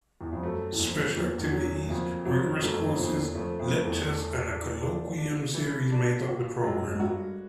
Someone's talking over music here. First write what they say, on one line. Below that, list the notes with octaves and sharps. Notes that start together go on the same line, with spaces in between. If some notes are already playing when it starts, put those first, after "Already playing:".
Special activities, rigorous courses, lectures and a colloquium series made up the program.
E2
F2
F#2 A3
E2
F2 A#2
E2 A#2
E2
F#3
F2 A#2
F2 F#3
F#2 A3
F2
F2 A#2
E2
F2 A3
F2
A3
E2
A3
D4
A#2 D4
D4
E3
D4
A#2 F#4
F#2 G#3
G#2
G2 F#4